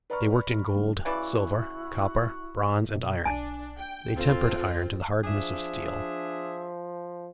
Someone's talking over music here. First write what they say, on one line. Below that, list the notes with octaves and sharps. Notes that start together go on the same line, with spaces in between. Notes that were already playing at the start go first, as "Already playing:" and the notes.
They worked in gold, silver, copper, bronze, and iron; they tempered iron to the hardness of steel.
B4 D5 A#5 B5 C#6 F6
D3 G3
C#3 E3 E4 F#4 D5
B2
B1 D4 G#5 A5
G5
D2 C4 F4 A4
F3 D4 G#4 E5